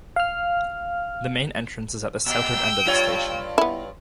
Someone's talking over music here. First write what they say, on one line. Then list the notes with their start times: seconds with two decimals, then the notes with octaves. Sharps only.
The main entrance is at the southern end of the station.
0.16 F5 F6
2.26 A#2 G5 E6
2.85 G2 F4 C#5
3.58 B3 E4